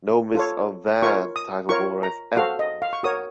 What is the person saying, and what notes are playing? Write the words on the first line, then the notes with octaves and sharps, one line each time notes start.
No Miss Auvergne titleholder has ever won Miss France.
F4 A4 C#5
F4 A#4 C#5 C#6
D#6
F4 A#4 C#5 C#6
A#5
F#4 A4 C5 F5
D#5
F5
C#6
F#4 A#4 C#5 D#6